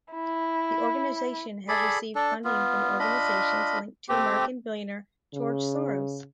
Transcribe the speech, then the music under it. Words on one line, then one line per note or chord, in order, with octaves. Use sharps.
The organization has received funding from organizations linked to American billionaire George Soros.
E4
G#4 A4 D5 B5
D4 A4
B3 F4
D4 F4 D#5 B5
A3 C4 G4
C#3